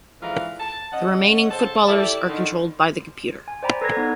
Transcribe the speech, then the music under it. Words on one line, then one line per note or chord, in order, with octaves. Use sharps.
The remaining footballers are controlled by the computer.
G#2 D3 E3 F3 F5 A#5
A5
C#4 D#5 F#5
C#3 A4 C5 A5
E4 G4 A4 D5 E5 A5
D3 D#3
G#5
C5 D5 G5 A#5 B5
A4 B4 A#5 G#6 A#6
B3 D#4